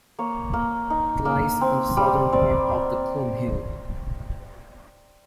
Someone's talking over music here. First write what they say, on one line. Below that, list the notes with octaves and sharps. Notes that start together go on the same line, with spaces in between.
It lies on the southern part of the Chlum hill.
A#3 C#5
A#3
D#4
A#3
C4
G3
C4 D5